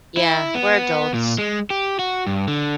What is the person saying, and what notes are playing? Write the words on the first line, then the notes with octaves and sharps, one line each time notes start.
Yeah, we're adults.
E4
B3
A#2
G#3
G4
F#4
G2
D3